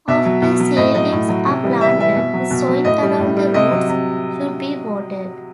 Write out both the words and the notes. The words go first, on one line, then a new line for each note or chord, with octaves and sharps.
After seedlings are planted, the soil around the roots should be watered.
B2 E5
F#3
B2
F#3
A2 D#5
F#3 D#5
A2
F#3
C3
E3 G3
C3 E5
E3 G3 E5
B2
F#3
B2
F#3
A2 D#5
G3
A2
G3
C3 D#5
F#3
C3